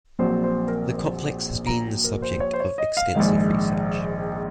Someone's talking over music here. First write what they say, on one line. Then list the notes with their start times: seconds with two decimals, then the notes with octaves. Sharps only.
The complex has been the subject of extensive research.
0.19 A#1 A#2 F#3 C4 C5
0.44 C5
0.68 A#4
0.88 A#4
0.94 C5
1.67 A#5
2.04 A#4
2.22 C5
2.40 C#5
2.53 C5
2.60 C#5
2.78 D#5
2.97 F5
3.15 A#1 G#2 D#3 G#3